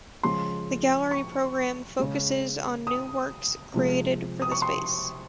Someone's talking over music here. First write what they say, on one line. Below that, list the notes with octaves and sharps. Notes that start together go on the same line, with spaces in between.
The gallery programme focuses on new works created for the space.
C#3 F3 G#3 C6
C#6
C#3 G#3
D#6
C3 F3 G#3
D#6
C#6
C6